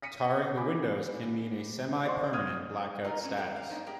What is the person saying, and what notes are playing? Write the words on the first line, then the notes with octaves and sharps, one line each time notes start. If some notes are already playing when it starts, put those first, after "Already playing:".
Tarring the windows can mean a semi-permanent blackout status.
A#6 B6 C#7 D#7
G#5 B5 D6
C5 D5 D#5 F#5 C6 C#6
D#6 F6 G#6 D#7
D#4 F4 A#4 B4 D#5
C4 C#4 G#5
E4 G4 A4 B4 D5 E5
A#4 F5
G#3 B3 D4 D#4 C5
G4 G#4 A#4 G5